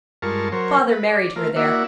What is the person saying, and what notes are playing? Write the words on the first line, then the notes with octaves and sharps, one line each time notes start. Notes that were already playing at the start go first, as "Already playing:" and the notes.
Father married her there.
G2 G#3 F4 A#4 A5 C#6
F#3 A#4 C5 C#5
B4
D5
A3 F4 A#4
A#3 E4 F#4 D5 E5